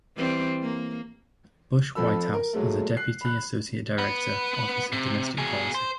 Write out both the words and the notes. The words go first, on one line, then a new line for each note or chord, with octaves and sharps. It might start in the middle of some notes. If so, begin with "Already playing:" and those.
Bush White House as a Deputy Associate Director, Office of Domestic Policy.
E3 G3 C4
A#3
F2 F3 A4 B5 E6
A#4
A#2 F#3 G#3 A3
F#6 C7
B5 F#6
B3 B4
C3
B2 G#4
C5